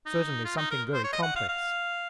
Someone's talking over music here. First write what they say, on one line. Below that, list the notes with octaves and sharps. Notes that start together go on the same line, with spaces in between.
Certainly something very complex.
D#4
F4
D#4
A#4
C5
C#5
D#5
F#5
F5
F5